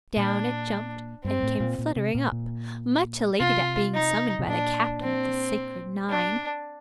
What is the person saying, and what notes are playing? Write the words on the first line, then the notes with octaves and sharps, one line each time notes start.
Down it jumped and Came fluttering up, much elated at being summoned by the captain of the sacred nine.
A#2 D4
G2 C4
A2
A#2
A#2
C3
A#2
A#2
C3 F4
D#4
C3
A#2 D4
C4
D4